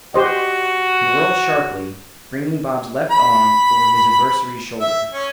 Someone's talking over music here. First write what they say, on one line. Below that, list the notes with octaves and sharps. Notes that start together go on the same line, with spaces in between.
He whirled sharply, bringing Bob's left arm over his adversary's shoulder.
F#4 G4 C5 D#5
B5
E5
C#4